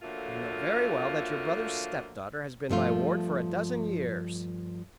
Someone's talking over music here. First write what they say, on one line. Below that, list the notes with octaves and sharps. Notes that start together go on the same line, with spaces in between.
"You know very well that your brother's stepdaughter has been my ward for a dozen years."
D3 F3 F#3 A3 A#3 F4
G2 F3 A3 F4